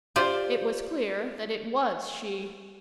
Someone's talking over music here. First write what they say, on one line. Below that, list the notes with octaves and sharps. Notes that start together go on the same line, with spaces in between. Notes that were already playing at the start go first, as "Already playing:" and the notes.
It was clear that it was she.
F4 G4 C5 D5